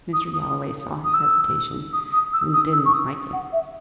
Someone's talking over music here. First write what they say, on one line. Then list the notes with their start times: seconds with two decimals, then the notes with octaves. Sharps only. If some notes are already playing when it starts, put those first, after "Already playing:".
Mr. Galloway saw his hesitation, and did not like it.
0.13 D#6
0.34 D#6
1.04 D#6
1.14 E6
1.93 D#6
2.12 D#6
2.33 E6
2.53 D#6
2.72 E6
2.85 C#6
2.93 D#6
3.33 F#5
3.52 E5